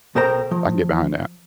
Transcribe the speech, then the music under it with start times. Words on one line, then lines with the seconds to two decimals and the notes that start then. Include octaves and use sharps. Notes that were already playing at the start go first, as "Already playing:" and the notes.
I can get behind that."
0.15 B1 B2 A#4 C5 G5 A#5
0.51 F3